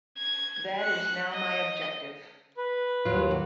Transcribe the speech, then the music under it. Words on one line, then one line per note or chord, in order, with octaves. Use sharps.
That is now my objective.
G#6
F#6 C#7
D#5
B4
D#2 F#3 F4
F#4